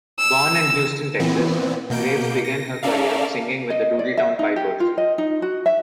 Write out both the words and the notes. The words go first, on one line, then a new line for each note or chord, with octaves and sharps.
Born in Houston, Texas, Graves began her career singing with The Doodletown Pipers.
E6
A#2 E3 B3 C4
B2 A#3 G6 D7
A#6
C#4 A4 A#4 D5 E5 F5
D#5
D5
E5
D#4
G4
F4
D#5
D#4
F#4
E5